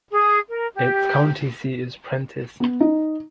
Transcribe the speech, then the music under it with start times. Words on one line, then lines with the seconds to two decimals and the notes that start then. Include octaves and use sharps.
Its county seat is Prentiss.
0.12 G#4
0.49 A#4
0.76 G4
2.60 B3
2.80 D#4